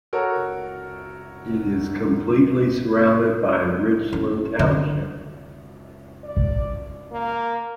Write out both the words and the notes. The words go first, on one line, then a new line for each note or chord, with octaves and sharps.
It is completely surrounded by Richland Township.
F#4 A4 A#4 C#5
C#4
D3
D5
A#3